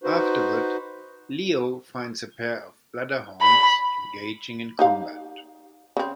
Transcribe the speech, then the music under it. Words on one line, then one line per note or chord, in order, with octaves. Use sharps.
Afterward, Leo finds a pair of Bladderhorns engaging in combat.
D#4 F#4 B4 C5
B5
D#4 G4 F5
C#3 C4